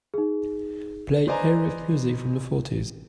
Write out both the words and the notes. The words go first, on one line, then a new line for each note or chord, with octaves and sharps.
Play Arif music from the fourties.
D#4 G#4
B4 C5 D5 D#5 G#5 A#5